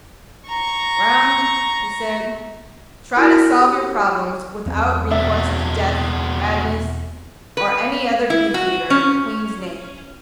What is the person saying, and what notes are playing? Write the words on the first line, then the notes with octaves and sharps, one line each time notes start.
"Broun," he said, "try to solve your problems without recourse to death, madness--or any other beefeater in the Queen's name."
A#5 C#6
E4 F#4 A#4 G#5
G4
E2 C4
B2 D4 E5
B4
E4
F#4
C#4